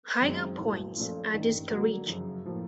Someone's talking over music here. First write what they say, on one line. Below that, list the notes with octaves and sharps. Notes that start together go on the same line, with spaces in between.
Higher points are discouraged.
F#1 F#2 D#3 G#3 C4
B1 A2 F#3 A#3
A#2 F3 A3 C#4 F4
A1 G2 D#3
D3 F#3 A#3
F#2 C#3 F3
A2 F3 A#3